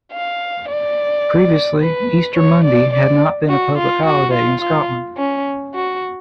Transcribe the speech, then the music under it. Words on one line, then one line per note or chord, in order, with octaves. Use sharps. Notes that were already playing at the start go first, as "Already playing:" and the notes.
Previously Easter Monday had not been a public holiday in Scotland.
F5
D5
B4
C#5
D5
D5
F#4
F4
F#4
F4
F4
C#4
F#4